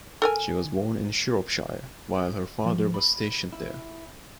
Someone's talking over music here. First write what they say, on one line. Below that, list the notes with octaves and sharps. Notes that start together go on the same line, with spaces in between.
She was born in Shropshire while her father was stationed there.
A4 A#4 G#5
F3
B5
E4